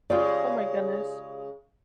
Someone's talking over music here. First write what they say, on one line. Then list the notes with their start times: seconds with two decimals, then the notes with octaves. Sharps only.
Oh, my goodness.
0.10 C#3 G#3 F4 G4 D5